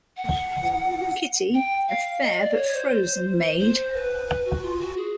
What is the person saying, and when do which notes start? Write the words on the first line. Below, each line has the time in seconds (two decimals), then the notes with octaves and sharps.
Kitty, a fair but frozen maid.
0.17 F#5
1.54 G5
1.88 F5
2.22 D#5
2.39 D5
2.56 C#5
2.74 C5
3.60 C5
3.94 B4
4.28 B4
4.45 F#4
4.62 F4
4.80 F#4
4.97 G#4